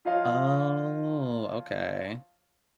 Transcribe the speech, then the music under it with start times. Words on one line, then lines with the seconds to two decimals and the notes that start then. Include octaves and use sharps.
Oh, okay.
0.05 F3 F4 C#5 D#5 F5